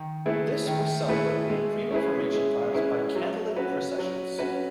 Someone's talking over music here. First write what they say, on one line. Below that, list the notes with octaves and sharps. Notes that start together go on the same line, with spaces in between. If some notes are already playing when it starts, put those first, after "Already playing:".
This was celebrated in pre-Reformation times by candlelit processions.
Already playing: D#3
A3 E4 G#4 B4
D#3
A3 E4 G#4 B4
G#3
C#4 E4 G#4 B4
G#3
C#4 E4 G#4 B4
F#3
C#4 F#4 B4
F#3
C#4 F#4 B4